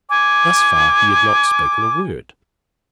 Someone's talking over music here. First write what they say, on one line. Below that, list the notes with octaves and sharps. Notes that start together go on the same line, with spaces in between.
Thus far he had not spoken a word.
G#5 D6